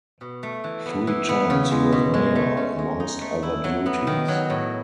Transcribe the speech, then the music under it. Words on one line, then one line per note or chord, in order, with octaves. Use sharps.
Three times he was mayor, amongst other duties.
B2
A3
E3
B3
E3
B3
C#3
G#3
B2
G#3
A3
C#4
G#3
D#4
A3
E4
F#3
B3
D#3
F#3
A2